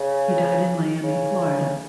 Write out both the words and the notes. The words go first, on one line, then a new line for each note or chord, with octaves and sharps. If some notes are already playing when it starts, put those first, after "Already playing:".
He died in Miami, Florida.
Already playing: C#3
C#3